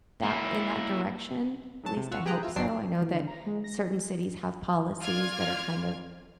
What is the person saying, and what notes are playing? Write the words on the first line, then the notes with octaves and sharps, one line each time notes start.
that in that direction, at least I hope so, I know that certain cities have policies that are kind of
A#3 E4
G#2 F#3 A5
C3
F4 F#5 C#6 E6 F6
G4 G#4 B4 G5 A#5 F#6
F4 E5
G1 D3 F#3 C4 D4 C7
E3
D3
A#5
G#3
A#6
F4 D5 F6 G#6